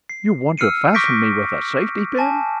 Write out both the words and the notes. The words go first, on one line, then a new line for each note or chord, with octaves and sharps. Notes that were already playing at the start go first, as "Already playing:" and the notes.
"You want to fasten me with a safety-pin?"
C7
E6 F6 C7 C#7 D#7
C#6 D6 G6 A#6 B6 D7
G#5 A5